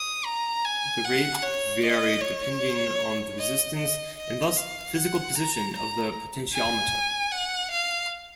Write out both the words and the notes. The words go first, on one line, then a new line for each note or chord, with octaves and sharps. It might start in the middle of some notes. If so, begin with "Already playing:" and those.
The rate varied depending on the resistance, and thus physical position, of the potentiometer.
Already playing: D#6
A#5
G#5
F#5
C#5
D#5
C#5
D#5
D#5
D#5
F5
F#5
A#5
A#5
G#5
F#5
F5